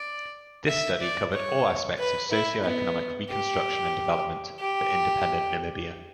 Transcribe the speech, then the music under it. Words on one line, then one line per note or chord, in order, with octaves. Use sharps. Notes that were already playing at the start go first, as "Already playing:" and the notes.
This study covered all aspects of socio-economic reconstruction and development for independent Namibia.
Already playing: D5
E5
D5
C#5
B4
E4
B3
G4
G4